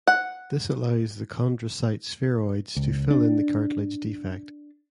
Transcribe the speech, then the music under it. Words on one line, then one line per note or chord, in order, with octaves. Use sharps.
This allows the chondrocyte spheroids to fill in the cartilage defect.
F#5
C#2
D4